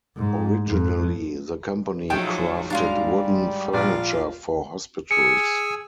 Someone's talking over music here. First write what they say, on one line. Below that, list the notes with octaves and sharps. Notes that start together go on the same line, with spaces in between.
Originally, the company crafted wooden furniture for hospitals.
G#2
F2
F3 F#3 G#3 A3 D#4 A4 G5
G#2 G3 G#3 D4 F#4 F5 A#5
A#1 F4 D5
G#4 G#5 E6 C#7